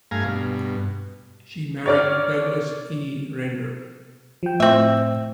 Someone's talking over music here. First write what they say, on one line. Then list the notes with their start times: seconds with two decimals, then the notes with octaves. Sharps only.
She married Douglas E. Render.
0.11 G2 A3 F5 G#5 A#5
0.25 G2 B2
1.86 C#5 D5 F6
4.43 F3 G5
4.60 A2 C4 E5